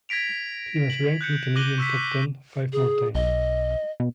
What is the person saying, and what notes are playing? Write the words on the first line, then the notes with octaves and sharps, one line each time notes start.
He was ranked in the Canadian top-ten five more times.
G#6 A#6 B6 D7 F7
F#7
F#6 G6 C#7
D6 F#6 A#6 D#7 F#7 G7
C#6 E6 G6 B6
G#4
B1 D#5
B2